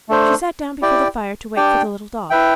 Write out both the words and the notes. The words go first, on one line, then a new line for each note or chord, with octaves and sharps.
She sat down before the fire to wait for the little dog.
A3 D4 A4 C5
E4 G4 D5 G5
D4 G4 D5 G5
E4 B4 E5 G5